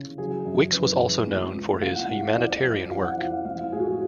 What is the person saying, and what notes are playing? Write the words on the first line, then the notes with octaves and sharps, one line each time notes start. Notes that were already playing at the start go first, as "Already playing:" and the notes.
Wicks was also known for his humanitarian work.
Already playing: C#3
F#3 G#4
F#2
F#2 B4
F#2
G#3
C#2
C#2 F5
F#5
C#2 F#5
F5
F2 D5
F#3
F2 F5
F#5
F2 F5
F5
G#3 F5
F5
A2 G#4
F#4
G#4